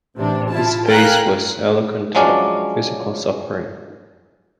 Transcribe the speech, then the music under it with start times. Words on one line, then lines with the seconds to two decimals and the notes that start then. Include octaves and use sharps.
His face was eloquent of physical suffering.
0.16 A1 C3 D4
0.51 E4 F4 A5
0.86 A#4 F5 G5 G#5 A#5 F#6
2.15 F3 F#3 G#3 C#4 D4 D5